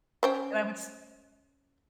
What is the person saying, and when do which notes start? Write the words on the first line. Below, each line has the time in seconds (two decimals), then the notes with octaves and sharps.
And I would s
0.23 C#4 C5 G5